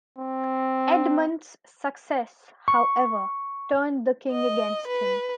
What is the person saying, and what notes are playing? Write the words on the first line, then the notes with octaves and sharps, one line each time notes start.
Edmund's success, however, turned the king against him.
C4
C#6
D#5
B4